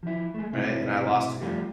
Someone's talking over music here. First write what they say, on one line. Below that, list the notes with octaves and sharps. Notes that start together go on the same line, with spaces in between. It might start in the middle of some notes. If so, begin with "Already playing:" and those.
Right? And I lost to him.
F3 E4
G#3 A3
B1 C3 A3 E4
F3 G3 A3 F4 G4